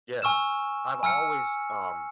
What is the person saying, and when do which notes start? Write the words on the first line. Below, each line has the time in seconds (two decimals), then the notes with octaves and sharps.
Yes, I've always, um,
0.22 G#5 C#6 E6 F6 E7
1.03 G#5 E6 F6 C#7